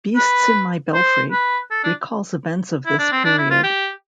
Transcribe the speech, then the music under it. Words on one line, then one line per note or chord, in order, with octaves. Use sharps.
"Beasts in My Belfry" recalls events of this period.
B4
C5
B4
A4
D4
E4
D4
C4
D4
E4
F4
G4